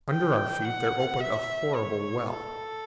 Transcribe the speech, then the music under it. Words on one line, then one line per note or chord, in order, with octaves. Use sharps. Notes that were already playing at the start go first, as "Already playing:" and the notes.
Under our feet there opened a horrible well.
G5
F#5
E5
C#5
A4